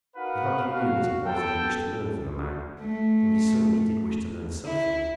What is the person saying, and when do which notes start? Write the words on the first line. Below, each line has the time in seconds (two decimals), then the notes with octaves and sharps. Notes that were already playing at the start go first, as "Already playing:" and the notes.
He hardly knew what it was that he wished to learn from the man, though he certainly did wish to learn something.
0.15 D#4 F#4 A#4 B4 F5 F#5
0.68 F#4 F5
1.25 B3 A4 G5
2.80 A3
4.64 E4